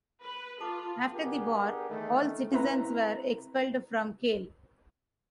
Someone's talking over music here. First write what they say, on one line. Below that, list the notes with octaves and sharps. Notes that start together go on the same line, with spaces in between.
After the war, all citizens were expelled from Kehl.
B4
F4 A4 A5 D6
B3 D4 G4 G#4 A#4
D#3 E3 A3
C4 E4 B4 A#5